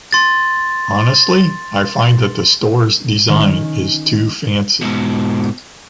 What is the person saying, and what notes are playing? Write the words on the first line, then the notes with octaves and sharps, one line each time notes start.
Honestly, I find that the store’s design is too fancy.
C6 A6
D#3 C#4
G#2 B2